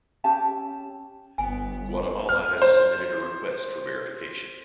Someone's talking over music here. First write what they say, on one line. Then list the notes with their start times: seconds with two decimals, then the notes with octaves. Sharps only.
Guatemala has submitted a request for verification.
0.24 C#4 G4 E5 A5
1.38 G1 B3 G#5
2.29 F6
2.62 C5